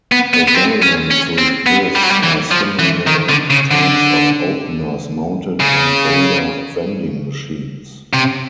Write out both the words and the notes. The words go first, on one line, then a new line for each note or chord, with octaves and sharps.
A variant to this are similar types of openers mounted on older vending machines.
B3
B3
B3
C4
C#4
C#4
C4
B3
G3
F#3
G3
E3
F3
E3
D#3
D3
C#3
D3
C#3
C3